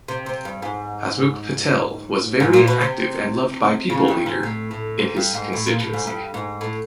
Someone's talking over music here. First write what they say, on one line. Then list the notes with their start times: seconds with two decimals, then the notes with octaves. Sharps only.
Hasmukh Patel was very active and loved by people leader in his constituency.
0.08 C3
0.26 C3
0.45 G2
0.62 G#2
2.40 G#2
2.53 A#2
2.67 B2
2.81 C3
3.90 C#3
4.08 G2
4.26 G#2
4.43 A2
4.71 A2
4.99 G#2
5.16 G2
5.34 G#2
5.53 A2
5.67 A#2
5.80 A2
5.93 G#2
6.07 G2
6.34 G#2
6.61 A2